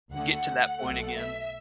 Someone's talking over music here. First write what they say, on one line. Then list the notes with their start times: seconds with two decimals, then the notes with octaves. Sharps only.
get to that point again."
0.13 D2 D3 A3 F#5
0.81 B1 B2 A3
1.16 E5